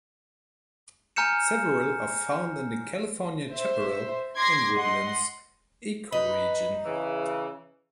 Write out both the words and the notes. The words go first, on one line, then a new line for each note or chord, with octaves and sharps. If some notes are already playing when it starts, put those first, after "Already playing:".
Several are found in the California chaparral and woodlands ecoregion.
G#5 A#5 F6 G6 C#7 E7
C5 E5
C6 D6 G#6 A#6 C7
D#5 F#5 C6
D#4 B4 B5
C#3 E3